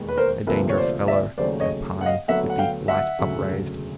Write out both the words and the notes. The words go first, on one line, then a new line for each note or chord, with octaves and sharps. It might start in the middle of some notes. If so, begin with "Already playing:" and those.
"A dangerous fellow," says Pine, with the light upraised.
Already playing: E1 D#2 D#3 G#3 B3
B4
A#4 C5
D2 C3 F3 A#3 A4 B4
C#5
C5 D5
D5 E5
D#2 C#3 F#3 A3 C5 D5
C#5 D#5
F#5
D#5 F5
D2 D3 F#3 B3 E5 F#5
F#5
F5 G5
E5 F#5
E1 D2 C#3 F#3